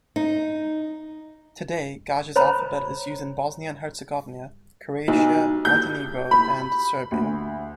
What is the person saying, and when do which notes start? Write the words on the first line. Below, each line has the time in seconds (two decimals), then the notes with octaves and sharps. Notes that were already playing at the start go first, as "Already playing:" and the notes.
Today Gaj's alphabet is used in Bosnia and Herzegovina, Croatia, Montenegro and Serbia.
0.16 D#4
2.36 C5 C#5 A#5 B5
5.08 B1
5.65 G6
6.31 B5
7.12 D2